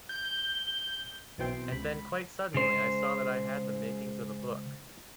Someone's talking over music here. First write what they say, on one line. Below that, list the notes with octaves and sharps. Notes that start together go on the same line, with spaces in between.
And then, quite suddenly, I saw that I had the makings of a book.
G6
B1 B2 E3 C4 G5 C6
C#2 B5
C#3 G#3 C5